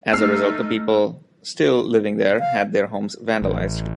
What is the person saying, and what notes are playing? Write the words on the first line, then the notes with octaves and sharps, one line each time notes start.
As a result, the people still living there had their homes vandalized.
A3 D#4 E6 F6 C7
F5
A1